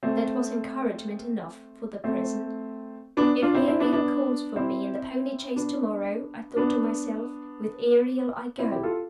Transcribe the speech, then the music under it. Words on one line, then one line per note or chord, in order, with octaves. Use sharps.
That was encouragement enough--for the present. "If Ariel calls for me in the pony-chaise to-morrow," I thought to myself, "with Ariel I go."
A3 C4
A3 C4
B3 D4
D4 F4
C4 E4
C4 E4
B3 D4
B3 D4
C4 E4
B3 D4
B3 D4
C4 E4
E4 G4
F4 A4